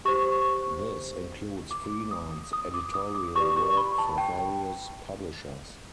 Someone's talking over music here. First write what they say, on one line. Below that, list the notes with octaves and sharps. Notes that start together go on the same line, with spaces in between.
This includes freelance editorial work for various publishers.
G4 C5 C#6
D6
D#6
D#6
D6
D#6
D6
G4 B4 D5 C#6
C#6
B5
A5
G5